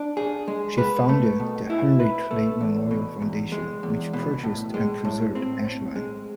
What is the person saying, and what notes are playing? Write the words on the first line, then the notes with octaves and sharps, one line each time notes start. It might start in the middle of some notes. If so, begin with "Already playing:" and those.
She founded the Henry Clay Memorial Foundation, which purchased and preserved Ashland.
Already playing: D4
G#4
G#3
B4
A3
B2
E4
B4
A3
E2
B2
E2
G#3
E2
B2
A2
G#3
A2
C4
A2
G#3